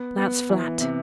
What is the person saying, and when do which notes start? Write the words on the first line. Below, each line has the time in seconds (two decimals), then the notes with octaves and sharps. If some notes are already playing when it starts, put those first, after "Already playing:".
That's flat.'
Already playing: B3
0.18 B3
0.49 E3
0.81 C3